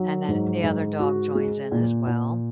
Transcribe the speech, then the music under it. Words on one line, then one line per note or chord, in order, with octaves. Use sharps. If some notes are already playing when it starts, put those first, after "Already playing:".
and then the other dog joins in as well.
Already playing: F#3 D#4
G#2
G#2
F#4
G#3
A#2
A#2